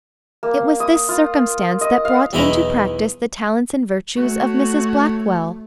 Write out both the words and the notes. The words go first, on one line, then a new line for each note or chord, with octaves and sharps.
It was this circumstance that brought into practice the talents and virtues of Mrs Blackwell.
A#3
D#6
F4
D#5
F5
B1 E2 E3 D#4 E4 D#5
A3 F#4 C#5